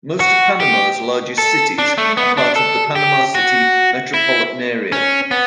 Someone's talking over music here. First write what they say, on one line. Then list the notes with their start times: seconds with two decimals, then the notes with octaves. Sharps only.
Most of Panama's largest cities are part of the Panama City Metropolitan Area.
0.20 F#4
0.60 G4
1.38 A4
1.78 D4
1.98 A3
2.17 B3
2.37 D4
2.56 A4
2.95 G4
3.35 F#4
4.14 E4
4.92 C#4
5.31 B3